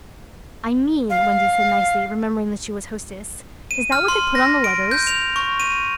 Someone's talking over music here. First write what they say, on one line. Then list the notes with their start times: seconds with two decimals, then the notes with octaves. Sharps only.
"I mean," Wendy said nicely, remembering that she was hostess, "is that what they put on the letters?"
1.10 F5
3.71 D#7
3.92 F6
4.08 C6
4.35 A#6
4.64 D7
4.91 G6
5.07 F7
5.36 C#6
5.60 D#7